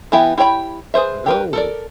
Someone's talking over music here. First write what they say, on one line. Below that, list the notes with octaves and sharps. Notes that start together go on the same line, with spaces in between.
like, "Oh!"
E3 B3 E4 G4 E5
E4 G4 C#5 G5 B5
G#4 B4 C5 E5
G4 A#4 B4
A4 A#4 D5